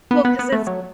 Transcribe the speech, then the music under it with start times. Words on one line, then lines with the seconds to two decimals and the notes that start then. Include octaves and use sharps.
Well, 'cause it's
0.11 B3
0.25 B3
0.39 B3
0.52 A3
0.67 F#3